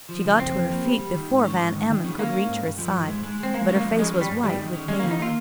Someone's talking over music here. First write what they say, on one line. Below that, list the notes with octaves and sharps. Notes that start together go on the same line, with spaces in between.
She got to her feet before Van Emmon could reach her side, but her face was white with pain.
F3
C#3
F2 C4
F3
A#3
G3
G3
D#3
G#2
C#4
G#2
D#3
D#3
C#4
A#3 C#4
C#4
G#2
G2
F3
G2
G#3
G#3
G#3 C4
G#3 A#3
C#4
A#3
F3
G#3 C#4
C#4
G3
G2
D#3 G3
D#3
C#4
G#3 C#4
A#3
D#3
D#4
A#3 F4